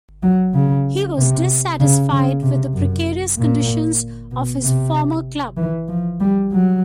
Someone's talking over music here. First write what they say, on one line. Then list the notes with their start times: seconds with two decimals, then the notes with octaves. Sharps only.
He was dissatisfied with the precarious conditions of his former club.
0.23 F#3
0.54 C#3
1.17 C3
1.80 C#3
2.11 C#3
2.42 C3
2.74 F#2
3.38 A#2
4.31 B2
4.64 C3
5.57 E3
5.88 F3
6.20 G3
6.52 F#3